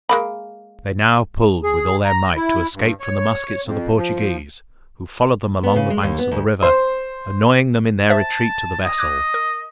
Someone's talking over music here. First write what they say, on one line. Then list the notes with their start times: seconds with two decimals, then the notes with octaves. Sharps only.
They now pulled with all their might to escape from the muskets of the Portuguese, who followed them along the banks of the river, annoying them in their retreat to the vessel.
0.09 G#3 A#3 B5
1.63 G#4
2.05 A#5
2.36 E4
2.74 G2
3.00 C#5
3.65 F2
3.97 F3
5.63 B3
5.76 C#3
5.90 G#3
6.03 D#2
6.18 B3
6.31 D2
6.62 C5
8.10 C5 E5 A5
8.85 D#5
8.97 D6 F#6 G#6
9.34 A#4